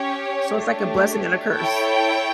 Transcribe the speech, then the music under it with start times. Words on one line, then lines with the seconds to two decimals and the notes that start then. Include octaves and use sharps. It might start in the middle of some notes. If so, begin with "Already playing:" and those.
So, it's like a blessing and a curse.
Already playing: C#4 G4 C#5
0.57 A3 D4 G4 C#5
1.53 E4 A4 C#5 G5